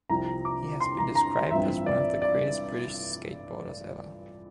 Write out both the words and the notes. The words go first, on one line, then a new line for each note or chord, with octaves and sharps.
He has been described as one of the greatest British skateboarders ever.
C2 C3 F3 C4 A#5
D6
C6
A#5
A#5
A1 G2 F3 C4 E5
D5
D5